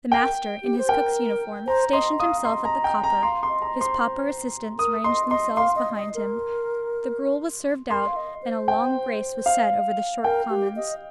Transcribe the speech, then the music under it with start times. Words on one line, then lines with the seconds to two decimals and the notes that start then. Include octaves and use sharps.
The master, in his cook's uniform, stationed himself at the copper; his pauper assistants ranged themselves behind him; the gruel was served out; and a long grace was said over the short commons.
0.11 A#4 G5
0.63 G4
0.78 C5
0.89 A#4 G5
1.67 C5 A#5
1.93 D#5 C6
2.19 F5 D#6
2.45 D#5 C6
2.65 A#5
2.84 G5
3.04 A#5
3.23 F5 C6
3.43 C6
3.49 D#5
3.62 A#5
3.75 C5
3.81 C6
4.79 A#4 D#6
5.04 D#5 C6
5.31 D#5 C6
5.57 F5 C6
5.76 D#5
5.96 D#5
6.15 A#4
7.90 A#4 C6
8.07 F5
8.16 D#5
8.43 C5
8.68 G5
9.46 F5
10.24 A#4 G5
10.50 G4
10.76 D#5